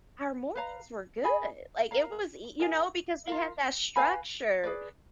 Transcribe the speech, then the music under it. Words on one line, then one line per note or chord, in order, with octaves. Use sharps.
our mornings were good." Like, it was y you know, because we had that structure
B4 F5 A#5
G#4 D#5 G#5 B5
A#4 F5 A#5
A#4 D#5 G#5
F4 A#4 F5
B4 F5 G#5 B5
G#4 B4 D5